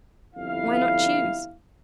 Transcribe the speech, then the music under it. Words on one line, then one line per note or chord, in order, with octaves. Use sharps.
Why not choose?
G1 F2 E4 F5